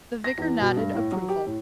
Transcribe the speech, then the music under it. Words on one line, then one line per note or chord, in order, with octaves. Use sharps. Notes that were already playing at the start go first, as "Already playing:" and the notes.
The vicar nodded approval.
A#6
E2
B2
G2
A2
F#3
G4
A2